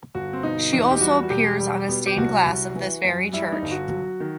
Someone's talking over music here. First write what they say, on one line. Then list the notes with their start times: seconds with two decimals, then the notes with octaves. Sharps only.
She also appears on a stained glass of this very church.
0.15 G1 F#4
0.33 C4
0.43 B2 D#4
0.73 E2
0.91 G4
1.01 G3 F#4
1.23 F#4
1.30 E1 G4
1.59 G3
1.89 B2
2.06 G4
2.17 C2 F#4
2.46 C2
2.75 E3
3.04 F#2
3.32 G3 E4
3.52 D#4
3.62 G1
3.71 F#4
3.91 F#3
4.20 D#3